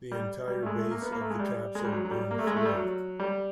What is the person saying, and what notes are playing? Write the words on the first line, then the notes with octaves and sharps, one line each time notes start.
The entire base of the capsule burned through.
G3
G3
A3
G#3
A3
A#3
B3
A#3
A3
G#3
G3
G#3
G3
F#3
F#3
G3
A#3
A3
G#3
A3
G3
F#3
G3